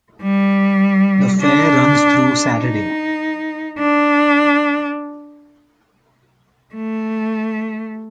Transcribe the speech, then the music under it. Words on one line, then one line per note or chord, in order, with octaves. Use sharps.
The fair runs through Saturday.
G3
D4
D#4
D4
A3